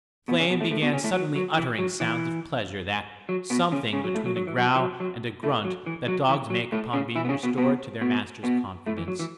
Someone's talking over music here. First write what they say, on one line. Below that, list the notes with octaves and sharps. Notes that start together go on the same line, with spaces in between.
Flame began suddenly uttering sounds of pleasure, that "something" between a growl and a grunt that dogs make upon being restored to their master's confidence.
B2 B3
C#3 C#4
B2 B3
A2 A3
A2 A3
B2 B3
C#3 C#4
A2 A3
F#3
F#3
E3
F#3
E3
F#3
B2 B3
C#3 C#4
C#3 C#4
F#3
A2 A3
F#3
F#3
E3
F#3
E3
F#3
F#3
A2 A3
F#3
E3
F#3
E3
F#3
A2 A3
C#3 C#4
E3 E4
B3
C#3 C#4
B2 B3
B2 B3
B2 B3
B2 B3
A2 A3
E3
F#3
E3